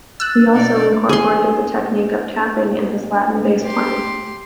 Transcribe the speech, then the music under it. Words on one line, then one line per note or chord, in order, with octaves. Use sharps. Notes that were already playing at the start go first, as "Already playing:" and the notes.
He also incorporated the technique of "tapping" in his Latin bass playing.
E6 F#6 A6
B2 D#4 D5 A6
G#4 C6
G4 C6